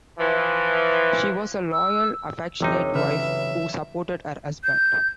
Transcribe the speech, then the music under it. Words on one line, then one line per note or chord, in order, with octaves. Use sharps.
She was a loyal, affectionate wife, who supported her husband.
E3 F3
E6
G1 E2 C3 D#4 C#5 A#6
C#3 E3 F#3 B3 B4 E5 F6
G6